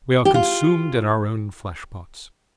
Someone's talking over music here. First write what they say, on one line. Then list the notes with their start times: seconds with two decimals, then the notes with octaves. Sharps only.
We are consumed in our own flesh-pots.
0.25 G4
0.34 F4